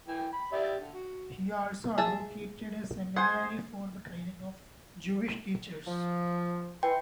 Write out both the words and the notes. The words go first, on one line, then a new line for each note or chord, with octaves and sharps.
He also advocated a seminary for the training of Jewish teachers.
E3 G5
B5
G4 D5 E5
D3
F#4
G#4 E5 A5
G#4 C5 F#5 G#5
F3
E3 G5 C6